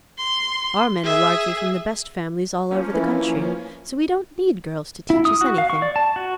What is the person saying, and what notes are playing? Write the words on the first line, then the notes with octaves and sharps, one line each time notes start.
Our men are largely from the best families all over the country, so we don't need girls to teach us anything.'
C6
G#4 E5
F3 A#3 C#4
E3
E4
D#6
F#4
F5
C#6
D5
A5
F#4